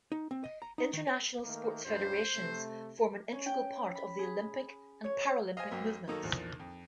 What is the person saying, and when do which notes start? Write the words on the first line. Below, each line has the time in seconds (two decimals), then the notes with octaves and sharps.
International sports federations form an integral part of the Olympic and Paralympic movements.
0.12 D#4
0.31 C4
0.44 D#5
0.62 A#5
0.78 D#4
0.93 D#3
1.07 C#5
1.44 D#3 A3 A#3
1.85 C#2 G2 C5
2.35 C3 A3
3.32 C#4
3.46 G5
3.95 B5
4.19 G#4
5.04 C#5
5.57 C5 D#5 F5 G#5
5.71 B1 F#2 A#3
6.08 D#3 F#3 A#3 D#4 A4
6.23 A#1 E2 F3
6.60 F2